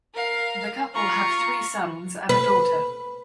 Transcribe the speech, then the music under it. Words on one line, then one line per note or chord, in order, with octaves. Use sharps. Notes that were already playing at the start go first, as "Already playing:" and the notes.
The couple have three sons and a daughter.
A#4 F5
F4 F5 A#5 C#6
B4